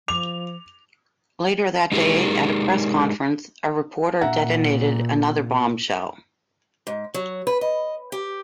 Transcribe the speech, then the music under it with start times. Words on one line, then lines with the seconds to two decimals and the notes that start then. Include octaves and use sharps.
Later that day at a press conference, a reporter detonated another bombshell.
0.08 F3 D6 F7
1.92 G#3 D#4 G4 G#4 A#4
4.21 A#2 E5 F#5 A#5
6.87 G#2
7.14 F#3
7.47 B4
7.61 D#5
8.12 G4